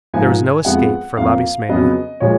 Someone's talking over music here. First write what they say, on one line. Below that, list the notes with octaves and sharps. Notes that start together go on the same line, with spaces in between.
There was no escape for Labismena.
G#2 F3 A#3 G#5
F2 F3 G#3 B3 F#5
F2 F3 A#3 F5
F2 C#3 F#3 B3 D#5
A#2 F3 G#3 C#5